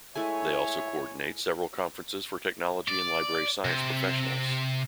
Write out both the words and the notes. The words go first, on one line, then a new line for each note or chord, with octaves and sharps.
They also coordinate several conferences for technology and library science professionals.
G#3 A3 E4 C#5 E5 G#5
D5
C3